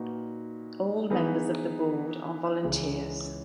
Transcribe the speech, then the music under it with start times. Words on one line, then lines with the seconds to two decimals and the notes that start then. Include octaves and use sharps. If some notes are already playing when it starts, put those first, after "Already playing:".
All members of the board are volunteers.
Already playing: A#2 A#3 D#4 F#4 B4
1.10 E3 B3 D#4 G#4 B4
2.63 C#2 C#3 E3 G#3